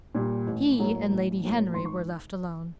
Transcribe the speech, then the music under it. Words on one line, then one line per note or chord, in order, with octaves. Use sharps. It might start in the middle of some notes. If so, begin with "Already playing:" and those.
He and Lady Henry were left alone.
A#2 G3
A1
A2 F#3 A#3
A1
A2 F#3 A#3
G#1 C6
C#6